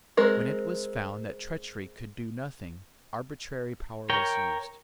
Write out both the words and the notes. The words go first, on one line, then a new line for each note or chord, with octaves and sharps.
When it was found that treachery could do nothing, arbitrary power was used.
G#3 C4 A#4
A#4 C#5 G5